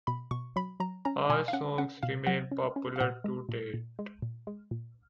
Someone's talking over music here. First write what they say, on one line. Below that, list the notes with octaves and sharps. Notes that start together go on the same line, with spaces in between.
All songs remain popular to date.
B2 B5
B2 C#6
F#3 B5
F#3 A#5
C#4 A#5
B2 G#5
F5
C#4 F#5
C#4 F#5
B2 F5
F#3 F#5
C#4
C#4
F5
A#2 F#5
G#3
A#2
A#2
G#3
A#2
G#3
A#2